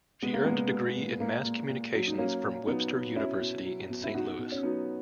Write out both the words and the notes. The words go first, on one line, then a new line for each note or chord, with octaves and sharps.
She earned a degree in Mass Communications from Webster University in Saint Louis.
G#3 B3
A#3
A#2 G#3 B3
G#3
A#2
A#2 A#3
A#2
A#2
F#3
D#4
F#3 A#3 C#4
A#2
F#3 B3 D#4
F#3
B2 C#4 E4
B2
F#3
B2
E4
B2 D#4 F#4
B2
C#4
F#3 B3 D#4